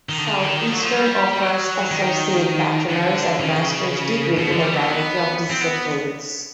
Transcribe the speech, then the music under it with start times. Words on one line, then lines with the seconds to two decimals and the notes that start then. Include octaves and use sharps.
Southeastern offers associate, bachelor's, and master's degree in a variety of disciplines.
0.09 D#3
0.18 D3
0.43 D#3
0.67 F3
0.74 F#3
0.82 F3
0.92 G3
1.33 G3
1.42 F#3
1.91 D#3
2.90 D3
3.40 C#3
4.38 B2
4.51 D3
4.63 G3
4.76 F#3
4.87 B3
5.51 C4
5.61 B3